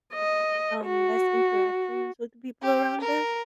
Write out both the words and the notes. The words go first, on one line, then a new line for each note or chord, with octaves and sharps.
um, less interactions with the people around us.
D#5
F#4
G4
A#4